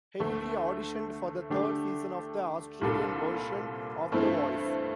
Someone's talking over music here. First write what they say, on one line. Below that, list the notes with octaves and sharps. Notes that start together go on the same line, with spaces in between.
Hayley auditioned for the third season of the Australian version of "The Voice".
D2 D3 A3
D3 A3 D4 G4
C2 A#2 G3 D4 A4
G2 E3 A3 C4 E4